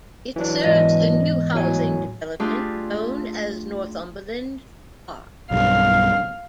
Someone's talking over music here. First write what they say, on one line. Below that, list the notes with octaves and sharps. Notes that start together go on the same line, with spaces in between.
It serves a new housing development known as Northumberland Park.
E3 F#3 D4
E2 G#2 D#5
A2 F#3 G#5
A3 D4 F4 G4 G#4
B1 G2 F5